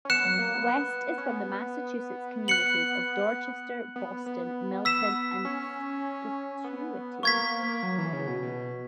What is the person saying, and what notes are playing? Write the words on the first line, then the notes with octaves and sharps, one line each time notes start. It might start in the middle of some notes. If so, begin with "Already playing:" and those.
West is from the Massachusetts communities of Dorchester, Boston, Milton and Scituate.
C#4
B3 F#6 C#7 E7
F#3
A#3
B3
B3
C#4
B3
F#6 C#7 F#7
B3
B3
E6 B6 E7
C#4
B3
A#3 C#6 G#6 B6
A#3
A#3
F#3
E3
C#3
B2
B2